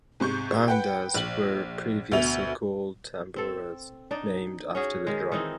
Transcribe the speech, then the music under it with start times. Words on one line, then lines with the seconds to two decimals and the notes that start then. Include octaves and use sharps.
Bandas were previously called "tamboras", named after this drum.
0.20 G#2 C3 C#6 G6
0.68 B4 F#5 G5
1.15 A#1 F#7
2.12 D2 B2 E5 F7
3.36 C4 A4
4.11 D4 D#4 D5
4.75 C#4 F#4 G#4
5.07 D#3 G#3
5.32 D#3 E3 C4 D#4